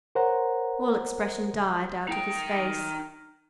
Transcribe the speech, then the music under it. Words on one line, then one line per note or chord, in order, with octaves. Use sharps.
All expression died out of his face.
A#4 C5 C#5 F#5 A#5
D#4 G5